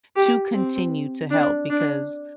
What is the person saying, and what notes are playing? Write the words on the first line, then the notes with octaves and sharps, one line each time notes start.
to continue to help because
G4
C4
D4
D4